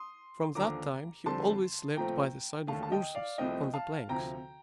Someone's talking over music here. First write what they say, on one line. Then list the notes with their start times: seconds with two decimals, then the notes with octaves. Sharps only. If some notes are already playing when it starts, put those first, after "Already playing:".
From that time he always slept by the side of Ursus on the planks.
Already playing: C6 D#6
0.55 D#2 D3 F3 A#5 D6
1.26 F2 D3 G3 C4 A5 C6
1.97 A#2 F3 A3 C4 G5 A#5
2.67 D#2 D3 A3 F5 A5
2.83 A5
2.92 D#5 G5
3.15 D5 F5
3.38 C2 C3 F3 A3 C4 D#5 G5
3.73 F5 A5
4.09 D2 C3 F3 G5 A#5